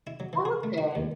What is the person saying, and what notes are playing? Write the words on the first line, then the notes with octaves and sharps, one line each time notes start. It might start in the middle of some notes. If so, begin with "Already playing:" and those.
Oh, okay.
E4
F#3
E3
G#4
A3
F#4
D#2